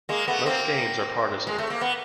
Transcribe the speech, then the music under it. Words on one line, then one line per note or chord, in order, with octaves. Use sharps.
Most games are partisan.
G#3 A#3
A3 B3
A#3 C4
G#3
A3
A#3
B3